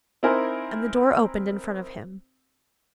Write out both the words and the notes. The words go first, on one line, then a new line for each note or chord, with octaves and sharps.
And the door opened in front of him.
C4 D#4 E4 A#4 C5 G#5